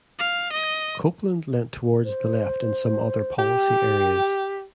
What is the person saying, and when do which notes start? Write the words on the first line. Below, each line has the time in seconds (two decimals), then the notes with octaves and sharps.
Copeland leant towards the left in some other policy areas.
0.19 F5
0.52 D#5
2.05 C5
3.39 G4 G5